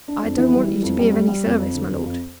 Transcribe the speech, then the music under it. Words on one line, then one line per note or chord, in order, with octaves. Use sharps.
"I don't want you to be of any service, my Lord."
D4
F2
E3
G3
E3
F2
G3
G3
G3
F2
F2
D3
F2
F2